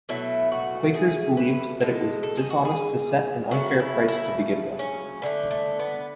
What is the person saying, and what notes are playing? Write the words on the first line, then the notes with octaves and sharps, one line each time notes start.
Quakers believed that it was dishonest to set an unfair price to begin with.
B2 F#3 A3 E4
F#4
G#4
B4
B2 G#3 A4
A4
G#4
F#4
G#4
C#3 F#3 A3 F#4
E4
E4
C#4
D3 A3 B3
A3
B3